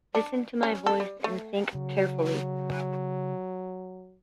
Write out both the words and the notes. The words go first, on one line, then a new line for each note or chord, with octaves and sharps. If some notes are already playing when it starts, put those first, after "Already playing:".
Listen to my voice and think carefully.
D4
C#4
A4
G3
A3
C#3 F#3